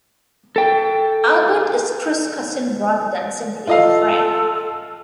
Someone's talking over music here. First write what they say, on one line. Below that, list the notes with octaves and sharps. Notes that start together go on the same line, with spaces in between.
Albert is Chris's cousin rather than simply a friend.
A4 G5
F4 A4 D#5 F5